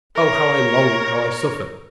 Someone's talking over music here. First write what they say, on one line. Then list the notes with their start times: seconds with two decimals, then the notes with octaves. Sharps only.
Oh, how I long, how I suffer!
0.15 A#4 C#5